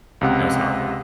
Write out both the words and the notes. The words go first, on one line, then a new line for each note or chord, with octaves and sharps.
No sour cream.
C#2 C3 F#5